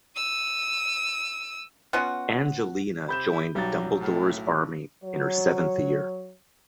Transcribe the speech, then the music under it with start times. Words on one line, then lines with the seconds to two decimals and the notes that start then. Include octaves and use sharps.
Angelina joined Dumbledore's Army in her seventh year.
0.16 E6 D#7
1.93 B3 C#4 F4 F#4
3.08 C3 B5 G6 E7
3.32 E4
3.55 B1 F#3 G3 A6
4.00 A2
5.04 F#3 C#5